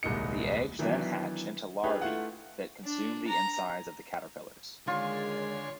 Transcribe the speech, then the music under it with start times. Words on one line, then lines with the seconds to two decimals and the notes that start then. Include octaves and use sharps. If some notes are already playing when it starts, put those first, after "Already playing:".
The eggs then hatch into larvae that consume the insides of the caterpillars.
0.03 D#1 C2 G#3 D#4 D#5 C#7
0.79 D#3 E3 F#3 B3 D4 E4
1.84 D4 D#4 G4 G#4 B4
2.01 A3 E4 F4 F#5
2.85 D4
3.28 A#5
4.88 D3 D#3 G#3 F4 C#5 G#5 C6